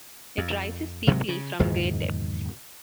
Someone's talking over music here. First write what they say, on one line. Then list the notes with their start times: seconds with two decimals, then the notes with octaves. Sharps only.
It rises steeply from great depths.
0.38 F2
1.07 G#1 C3 F#3 G#3
1.29 C#3
1.59 F#1 E2 G#2 D#3